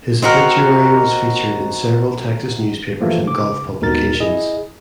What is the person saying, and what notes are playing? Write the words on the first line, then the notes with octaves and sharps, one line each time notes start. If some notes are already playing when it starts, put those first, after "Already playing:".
His obituary was featured in several Texas newspapers and golf publications.
C4 D#4 F#4 A#4
E3 F3 A3 A#3
C#3 D6
D#2 G#2 B2 A#4 A6
E4 G#4 D#5